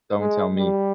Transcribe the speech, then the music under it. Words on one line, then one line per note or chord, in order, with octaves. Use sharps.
"Don't tell me."
G#3
G3